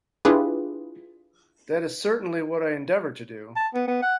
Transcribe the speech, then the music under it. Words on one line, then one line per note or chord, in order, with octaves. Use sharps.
That is certainly what I endeavour to do.
D4 E4 F4 G4 G#4 B4
A5
B3
B3
F#5